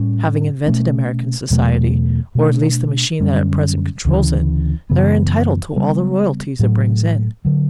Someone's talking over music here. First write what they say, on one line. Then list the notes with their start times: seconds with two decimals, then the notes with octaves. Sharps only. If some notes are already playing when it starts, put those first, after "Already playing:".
Having invented American society, or at least the machine that at present controls it, they are entitled to all the royalties it brings in.
Already playing: A2 G3 C#4
0.66 B2 A3 C#4
1.50 E2 B2 F#3 A3
2.35 B2 A3 D4
3.20 F#2 D3 G3 C#4
4.05 D2 C#3 E3
4.90 F#2 C#3 E3 B3
5.74 C#3 G3 B3
6.59 A2 F#3 A3
7.45 D3 F#3